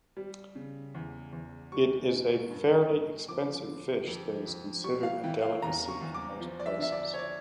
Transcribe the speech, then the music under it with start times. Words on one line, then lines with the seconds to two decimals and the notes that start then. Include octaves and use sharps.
It is a fairly expensive fish that is considered a delicacy in most places.
0.17 G3
0.55 C#3
0.94 E2
1.33 E2
1.72 G3 C#6
2.12 D3
2.50 G2
2.89 G2
3.29 F3 D6
3.67 D3
4.07 F2
4.45 F2
4.84 G3 C#6
5.03 F5
5.24 E3 G5
5.42 F5
5.62 E2 A#5
5.88 C#6
6.01 E2
6.14 D6
6.40 F3
6.59 D5
6.66 E5
6.79 D3 E5
6.92 D5
7.14 C#5
7.18 D5